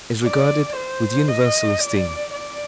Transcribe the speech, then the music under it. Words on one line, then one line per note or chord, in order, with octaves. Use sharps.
"Is regarded with universal esteem."
D5
C5
D#5
D5
D5